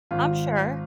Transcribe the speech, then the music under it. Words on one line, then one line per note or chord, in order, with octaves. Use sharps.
I'm sure.
G#1 F4